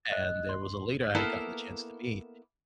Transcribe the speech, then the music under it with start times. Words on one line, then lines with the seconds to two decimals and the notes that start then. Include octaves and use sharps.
and there was a leader I had gotten the chance to meet,
0.12 D#5 F#6
0.49 C6
1.15 A#3 B3 E4 A4 A#4